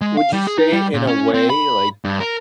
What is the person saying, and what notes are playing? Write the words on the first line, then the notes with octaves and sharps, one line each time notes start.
Would you say in a way like,
G#3
F5
G3
G#4
D#4
G3
A#2
C#4
C4
B5
G2
A#4